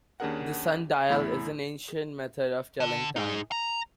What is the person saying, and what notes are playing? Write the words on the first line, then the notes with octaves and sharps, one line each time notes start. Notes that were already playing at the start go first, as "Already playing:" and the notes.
The sundial is an ancient method of telling time.
D#2 C#4 D4 G#4 A#4 F#5
E2 A2 E4 B5 E6
D3
D#4 G#4
A#5